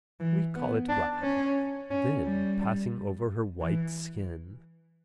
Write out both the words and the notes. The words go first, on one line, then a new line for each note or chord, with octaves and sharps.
We call it black. Then passing over her white skin.
E3
B3
D4
C#4
C#4
G3
E3